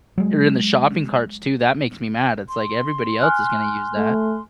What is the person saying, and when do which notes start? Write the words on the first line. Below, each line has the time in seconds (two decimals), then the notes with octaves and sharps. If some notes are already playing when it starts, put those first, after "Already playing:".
or in the shopping carts too, that makes me mad, it's like everybody else is gonna use that.
0.18 F#3 G#3
2.49 C6
3.20 G#5 F6 F#6
3.97 A3